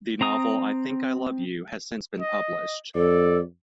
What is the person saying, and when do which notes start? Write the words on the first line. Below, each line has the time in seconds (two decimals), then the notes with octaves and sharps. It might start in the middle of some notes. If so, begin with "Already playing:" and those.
The novel "I Think I Love You" has since been published.
0.21 C4 A#5 D#6
2.20 D#5
2.95 F2 A4 D5